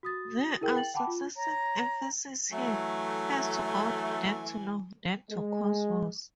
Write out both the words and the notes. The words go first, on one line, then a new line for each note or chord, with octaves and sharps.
There are successive emphases here, first to 'God', then to 'Law', then to 'Cosmos'.
F#4 D#6 A6
E4 G#4 A#4 G5
G5 A6 F#7
F#5 G5 A5 B5 D6
F4
C#5 A#5
E3 F#3 A3 G#5
G#3